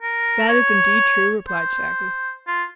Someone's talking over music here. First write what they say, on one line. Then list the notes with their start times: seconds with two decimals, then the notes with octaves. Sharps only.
"That is indeed true," replied Shaggy.
0.02 A#4
0.49 C#5
1.48 C5
2.47 F4